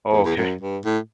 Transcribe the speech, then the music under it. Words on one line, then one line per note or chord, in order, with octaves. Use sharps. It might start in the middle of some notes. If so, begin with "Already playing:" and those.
Oh, okay.
E2
E2
F#2
G2
A2